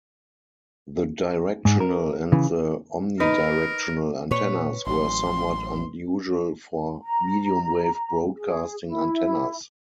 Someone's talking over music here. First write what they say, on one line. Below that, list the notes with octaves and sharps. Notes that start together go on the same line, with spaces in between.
The directional and the omnidirectional antennas were somewhat unusual for mediumwave broadcasting antennas.
G#2
A#4
C#3 E3
D#4 A#4 B4
A#2 B4 C#5
A1 F#3 C6
A#5
G#4
E4